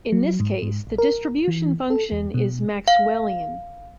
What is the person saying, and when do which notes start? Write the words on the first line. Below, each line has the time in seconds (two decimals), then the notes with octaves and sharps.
In this case, the distribution function is "Maxwellian".
0.12 F#3
0.40 G#2
0.62 G#2
0.87 A#1
0.98 A#4
1.48 E3
1.90 A4
2.12 E2
2.34 B2
2.88 F5